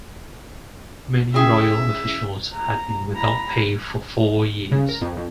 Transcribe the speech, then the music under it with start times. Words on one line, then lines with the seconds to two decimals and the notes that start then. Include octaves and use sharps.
Many royal officials had been without pay for four years.
1.34 C#3 C4 C#4 E4 G#4 E5 G5
2.54 A#5
3.16 A#5 B5
4.72 C#3
4.89 A#4
5.01 F2
5.17 F2